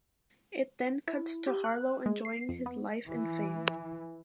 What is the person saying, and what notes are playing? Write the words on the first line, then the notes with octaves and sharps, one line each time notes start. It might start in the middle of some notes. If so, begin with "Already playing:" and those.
It then cuts to Harlow enjoying his life in fame.
E4
G4
F#6
G#3
C7
F2
B3
E3